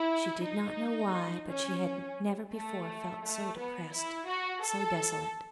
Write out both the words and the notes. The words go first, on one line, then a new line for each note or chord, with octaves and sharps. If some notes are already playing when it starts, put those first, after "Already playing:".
She did not know why, but she had never before felt so depressed, so desolate.
Already playing: E4
D#4
C#4
A3
A3
B3
E4
F#4
A4